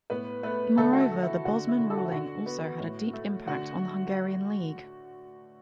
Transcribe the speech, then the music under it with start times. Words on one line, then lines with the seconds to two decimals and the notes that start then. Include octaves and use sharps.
Moreover, the Bosman ruling also had a deep impact on the Hungarian League.
0.10 A2 B3 B4
0.43 A3 B3 B4
0.78 D3 A3 A4
0.93 F#4
1.00 A3 A4
1.12 A3
1.23 E4
1.45 D3 F#4
1.68 E4
1.79 D3
1.90 A4
1.97 F#4
2.05 E4
2.11 D3 F#4
2.46 B3
2.80 A2
3.13 A3
3.47 D3 F#4